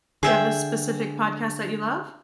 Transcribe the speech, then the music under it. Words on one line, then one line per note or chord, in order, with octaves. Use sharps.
Do you have a specific podcast that you love?
D3 G#4 E5 G5